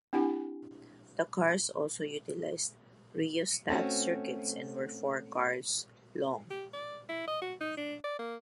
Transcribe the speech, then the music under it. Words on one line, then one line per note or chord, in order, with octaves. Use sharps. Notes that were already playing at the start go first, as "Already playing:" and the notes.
The cars also utilized rheostat circuits and were four cars long.
C4 D4 E4 G4 F#5 G#5
A3 C4 C#4 F#4
G4
D5
E4
D#5
F#4
D#4
D4
D5
A#3